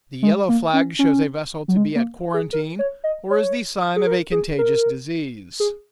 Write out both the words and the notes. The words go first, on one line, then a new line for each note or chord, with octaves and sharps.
The yellow flag shows a vessel to be at quarantine or is the sign of a contagious disease.
G#3
A#3
C#4
C#4
F#3
G#3
A#3
G#4
A#4
C#5
D#5
C#5
G#4
A#4
G#4
A#4
G#4